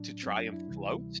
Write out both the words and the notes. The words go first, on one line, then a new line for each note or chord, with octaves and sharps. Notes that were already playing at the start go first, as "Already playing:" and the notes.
to try and float
Already playing: A2 F#3 D4
F#2 F#3 C4
D4
E4
D2 C3 E3 G3